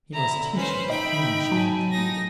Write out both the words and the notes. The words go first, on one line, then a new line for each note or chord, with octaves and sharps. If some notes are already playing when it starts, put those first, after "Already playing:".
He must teach her with whom she had to deal!
D3 E4 A#5
C#4 B4 C5
D#4 D#5 E5 G5 B5
F#3 G#5 A5
D#4 A#6